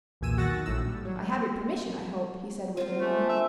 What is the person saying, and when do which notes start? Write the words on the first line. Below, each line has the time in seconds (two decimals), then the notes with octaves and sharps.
"I have your permission, I hope?" he said witheringly.
0.21 B1 E2 A#2 G#5 E6 D#7
0.37 D#3 F#4 F#5 E6 A6 A#6
0.66 A#1 A2 A3 E6
0.88 G3
1.05 F#3
2.77 C4 F4
3.00 D3 G#3 A3 D4
3.29 D#3 E5